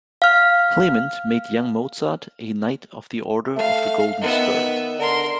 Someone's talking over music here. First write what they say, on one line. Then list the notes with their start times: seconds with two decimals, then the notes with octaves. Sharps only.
Clement made young Mozart a knight of the Order of the Golden Spur.
0.22 F5 F6
3.56 A3 F5
4.21 D#3 B3 E5
4.55 D#3
4.99 D3 A#4 C6